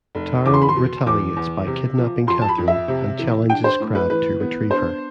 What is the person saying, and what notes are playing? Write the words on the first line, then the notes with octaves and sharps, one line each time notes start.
Taro retaliates by kidnapping Catherine and challenges Crab to retrieve her.
F1
E2 D6
C6
B5
C6
B2
E2 D6
E2
C3
F3
F2 C6
A5
B5
F2
E5
C3
E3
D4 G5
C5
A2
B4
E3 B4
B3
D4 C5